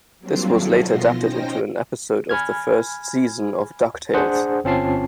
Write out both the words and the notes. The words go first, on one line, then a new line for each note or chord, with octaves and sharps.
This was later adapted into an episode of the first season of "DuckTales".
F#3 G3 A#3 C4 D4 F4
D#3 F#3 E4 G#4 A4
B2 F3 B3 F4 C6 A#6
C#4 D#4 C5 G5 A#6
G#5 B5 F6 G#6
D4 G#4 C5 F#5
G1 C4 C#4 F4 A5 C7